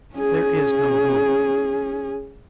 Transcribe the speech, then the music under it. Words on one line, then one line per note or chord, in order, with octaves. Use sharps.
There is no hope.
C#4 G#4